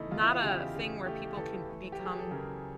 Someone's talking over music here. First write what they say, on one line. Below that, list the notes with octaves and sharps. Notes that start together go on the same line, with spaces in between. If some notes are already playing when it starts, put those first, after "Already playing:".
not a thing where people can become
Already playing: E2 C#3 A3 D#4 E4
E2 F4
E4
F4
C#3 G4
C#3 G#4
A3 G4
E3 A4
A3
G4
F#3
G#4
A4
C#3 A#4